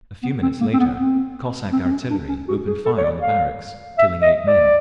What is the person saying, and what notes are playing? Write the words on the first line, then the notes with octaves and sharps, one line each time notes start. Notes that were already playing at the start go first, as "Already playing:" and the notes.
A few minutes later Cossack artillery opened fire on the barracks, killing eight men.
B3
C4
A#3
C4
B3
C4
C4
C4
C#4
D4
C#4
F#4
G#4
A4
C#5
D5
F5
E5
D#5
D5